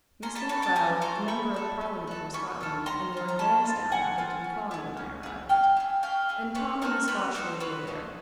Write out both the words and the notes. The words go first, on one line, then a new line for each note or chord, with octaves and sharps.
Mr. MacLeod, the member of Parliament from Scotland, and Lord Lansdowne happened to be calling when I arrived, and Tom and the Scotch lady were there.
C#4 A#5 C6
A5 B5
F#4 A4 A5 B5
G5 A5
C#4 G#5 A#5
F#4 A4 A#5 C6
C#4 B5 C#6
F#4 A4
C#4
F#4 A4
C#4 B5 C#6
F4 A4
C#4 A#5 C6
F4 A4
A#5
C#4 A5 B5
F4 A4
C#4 F#5 G#5
F4 A4
C#4
E4 G#4
C#4
E4 G#4
C#4 F5 G5
E4 G#4
C#4 F5 G5
E4 G#4
C4 B4 C#5
D#4 F#4 A4 A#4
C4 B4 C#5
D#4 F#4 A4 C5 D5
C4 B4 C#5
D#4 F#4 A4